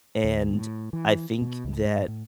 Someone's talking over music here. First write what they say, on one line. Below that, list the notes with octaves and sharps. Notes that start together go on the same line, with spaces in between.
and I think that
D2
A2
E3
B2
C#2
G#2
A2